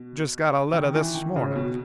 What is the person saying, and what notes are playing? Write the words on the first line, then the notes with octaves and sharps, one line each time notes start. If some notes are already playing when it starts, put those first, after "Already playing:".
'Just got a letter this morning.'
Already playing: B2
D#3
E3
D#3
C#3
B2